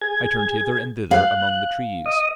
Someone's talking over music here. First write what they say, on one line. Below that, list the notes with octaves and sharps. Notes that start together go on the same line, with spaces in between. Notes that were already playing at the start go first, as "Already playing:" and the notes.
I turned hither and thither among the trees.
G#4 G#6
F5 F#6
D#5 D#6